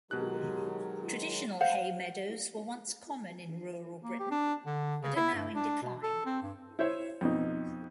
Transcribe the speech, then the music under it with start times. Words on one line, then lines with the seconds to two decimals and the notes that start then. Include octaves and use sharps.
Traditional hay meadows were once common in rural Britain, but are now in decline.
0.11 B2 D#3 F#3 G#3 G4 F#6
1.60 C5 F5 F#5
4.04 A#3
4.19 G4
4.31 D4
4.66 D3
5.01 C#3
5.16 E4
5.35 G2
5.55 D4
5.82 B2
6.03 A4
6.26 C4
6.43 G2
6.79 E4 C5 C#5 E5
7.21 F2 B2 D#4